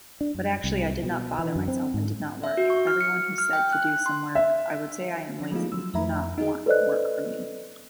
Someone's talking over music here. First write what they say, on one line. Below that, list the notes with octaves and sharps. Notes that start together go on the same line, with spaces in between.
But actually I did not bother myself and did not work, everyone who said to do some work, I would say I am lazy, do not want work from me.
D4
F#2
C2
B2
E3
F#2
C4
G#2
E5
F#4
C#6
F6
C#7
F6
G5
F#6
C6
E5
F3 C#4 A#6
F3 G#3 A3 B3 D#4 F4
F3 F#3 E6
F2 F3 A3 E5 A#5 B5
D#4 F#4 G#4 D#5
A4 B4 C5 D5 D#5 F#6